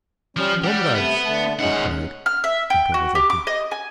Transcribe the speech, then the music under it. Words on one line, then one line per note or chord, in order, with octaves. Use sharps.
"Comrades!" he cried and there was a hush.
F3 G3 C#4
G3 G4 F#5 G5
C3 A3 B3
D3 A3 A5
A#2 G#3 C#4 D#4 F#5
F6
E5
G5
F#4
G4
D6
D#5
G#5